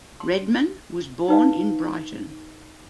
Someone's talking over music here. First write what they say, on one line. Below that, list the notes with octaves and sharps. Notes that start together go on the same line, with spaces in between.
Redman was born in Brighton.
C6
D#4 B4 F5